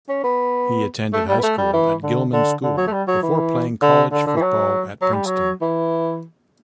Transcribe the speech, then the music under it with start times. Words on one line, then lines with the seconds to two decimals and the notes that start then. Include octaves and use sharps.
He attended high school at Gilman School before playing college football at Princeton.
0.09 C#4
0.24 B3
1.13 A3
1.28 G3
1.39 B3
1.43 A3
1.58 G3
1.73 E3
2.03 D3
2.33 D3
2.63 D3
2.77 F#3
2.87 A3
2.92 G3
3.08 F#3
3.22 E3
3.82 D3
4.12 D3
4.27 D3
4.36 E3
4.42 F#3
5.02 F#3
5.14 G3
5.26 F#3
5.62 E3